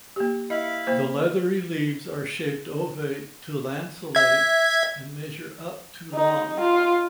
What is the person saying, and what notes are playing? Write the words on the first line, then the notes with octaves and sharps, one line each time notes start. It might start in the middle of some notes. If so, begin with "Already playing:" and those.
The leathery leaves are shaped ovate to lanceolate and measure up to long.
A#3 G4
E4 D#5 F5 B5
A#3 C5
E5 G#6
D#4
F4